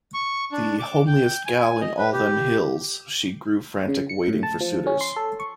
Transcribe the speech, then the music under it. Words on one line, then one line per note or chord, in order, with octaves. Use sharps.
The "homeliest gal in all them hills," she grew frantic waiting for suitors.
C#6
D4
D6
G5
G#5
D#5
B4
G4
C#3
C#7
A2
A5
F3
C#4
C6
A4
C#6